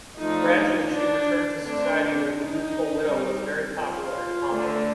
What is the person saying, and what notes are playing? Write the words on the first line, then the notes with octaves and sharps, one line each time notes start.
Gradually she returned to society where the youthful widow was very popular and accomplished.
F3 A3 D4 D#4
D4
D3 A3 C4 D4
D#4
G3 C4
F4
D3 A3 D4